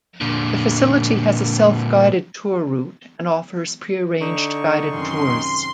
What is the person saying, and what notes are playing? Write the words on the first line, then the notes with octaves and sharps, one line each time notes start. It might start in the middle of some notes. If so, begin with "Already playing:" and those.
The facility has a self-guided tour route and offers pre-arranged guided tours.
A#2 D3
D3 D#4 C#6
F#2 C3 D#3 C6